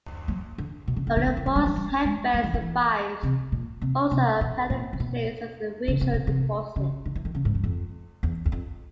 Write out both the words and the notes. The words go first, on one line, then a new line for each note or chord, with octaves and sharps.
Only the boar's head bell survives, also apparently placed as a ritual deposit.
F#3
D3
B2
C#3
C#3
D3
D3
E3
F3
G3
F#3
G3
G#3
F#3
E3
E3
C3
A#2
C3
C3
B2
A#2
C3
B2
C#3
C3
B2
C3
C#3
D3
E3
D#3
C#3
G#2
G2
F2
E2
E2
F2